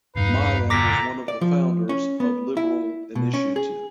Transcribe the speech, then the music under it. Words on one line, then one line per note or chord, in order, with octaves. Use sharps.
Mayan was one of the founders of Liberal Initiative.
E1 G2 D#4 B4 F5
A#2 D3 A#5 D6 A#6 B6
D5
F3
C#4
B3
E4
B2
C#4
G#4